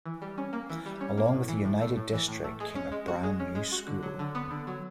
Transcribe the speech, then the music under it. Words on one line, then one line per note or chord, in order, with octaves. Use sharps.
Along with a united district came a brand new school.
E3
G3
C#4
A#3
E3
G3
C#4
A#3
A2
E3
A2
A3
A2
E3
A2
A3
G#3
C#4
G#3
F#4
G#3
C#4
G#3
F#4
D3
F#3
D3
B3
D3
F#3